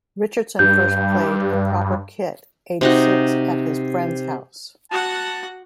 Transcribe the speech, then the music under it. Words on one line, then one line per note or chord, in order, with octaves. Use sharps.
Richardson first played a proper kit aged six at his friends house.
G2 G6
C3 D#4 F#4
F#4 F#5 A5